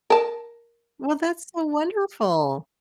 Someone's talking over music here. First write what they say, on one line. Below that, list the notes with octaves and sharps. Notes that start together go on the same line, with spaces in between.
Well, that's so wonderful.
A#4 A5